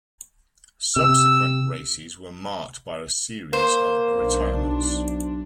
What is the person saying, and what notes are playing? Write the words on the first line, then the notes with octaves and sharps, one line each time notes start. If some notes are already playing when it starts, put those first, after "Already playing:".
Subsequent races were marked by a series of retirements.
C3 E6
A#3 C5
B1 D4